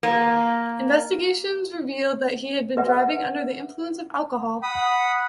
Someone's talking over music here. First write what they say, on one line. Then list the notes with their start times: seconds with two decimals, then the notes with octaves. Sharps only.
Investigations revealed that he had been driving under the influence of alcohol.
0.03 A#3
2.77 B4 E5 F#5
4.63 F#5 B5 D#6